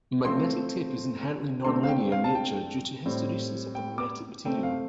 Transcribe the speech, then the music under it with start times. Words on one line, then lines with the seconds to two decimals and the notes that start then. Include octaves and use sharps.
Magnetic tape is inherently non-linear in nature due to hysteresis of the magnetic material.
0.25 C3 F3 A3 C4 C6
1.65 D3 A3 C4 C6
1.83 F5
1.88 G5
2.12 F5
2.24 A5
2.35 G5
3.05 A2 G3 C4
3.75 G5
3.98 D6
4.45 C3 A3 C4 G5
4.63 F5